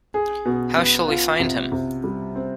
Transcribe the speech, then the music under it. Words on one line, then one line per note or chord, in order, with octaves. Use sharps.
How shall we find him?
G#4
B2
B3
F4
C3
C3
G3
C4